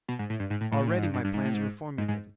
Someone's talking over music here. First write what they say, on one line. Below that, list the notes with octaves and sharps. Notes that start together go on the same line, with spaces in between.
Already my plans were formulated.
B2
G#2
A2
G2
G#2
A2
A2
A#2
A2
G#2
G2
G2
G2
G#2
A2
G#2
G#2
G#2